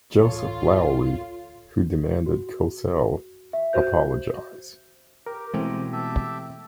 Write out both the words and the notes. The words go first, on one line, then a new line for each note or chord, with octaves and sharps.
Joseph Lowery, who demanded Cosell apologize.
A1 D2 F4 A4 C#5
F#4
E5
F#4 C5 G6
G4 A#4
B2 E3 G#3 A3 C4
G4 A4 E5